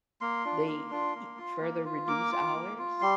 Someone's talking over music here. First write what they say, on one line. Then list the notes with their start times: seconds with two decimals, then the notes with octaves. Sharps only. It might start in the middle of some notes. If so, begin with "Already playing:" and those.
they e further reduce hours?
0.21 A#3 C6
0.45 D4 F4
0.68 A#3
0.91 D4 F4
1.15 A#3
1.38 F4
1.61 A#3
1.85 F4
2.08 A#3 D6
2.32 F4
2.55 A#3
2.78 F4
3.01 G3 C6